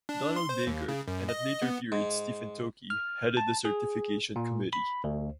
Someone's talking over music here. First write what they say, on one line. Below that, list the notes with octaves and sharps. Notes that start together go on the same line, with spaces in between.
Donald Bagert, and at later period Stephen Tockey headed the certification committee.
D4
C6
C5
D#2
C#3
F#2
D#5
B3
G#2
F6
A5
G#4
A#2
B5
D2